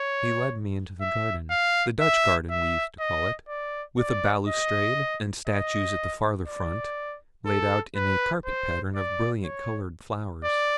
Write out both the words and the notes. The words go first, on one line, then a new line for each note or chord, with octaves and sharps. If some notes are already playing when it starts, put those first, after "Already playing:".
He led me into the garden--the Dutch garden, we used to call it--with a balustrade, and statues at the farther front, laid out in a carpet-pattern of brilliantly-coloured flowers.
Already playing: C#5
E5
F5
E5
E5
D#5
D5
D5
D#5
D#5
D5
A4
B4
C5
D5
C#5
D5